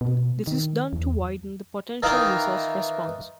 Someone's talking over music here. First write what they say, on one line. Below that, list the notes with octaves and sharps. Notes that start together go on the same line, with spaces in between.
This is done to widen the potential resource response.
B2
D#3
E2
D#3 E3 D#4 F4 A#4